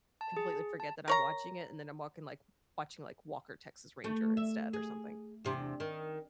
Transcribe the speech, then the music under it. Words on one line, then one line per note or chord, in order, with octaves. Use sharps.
completely forget that I'm watching it and then I'm walking like watching like Walker, Texas Ranger instead or something,
A5
G#4
A5
A#4 C#5 A#5
A3
E5
G#4
E2 C3 D4
D#3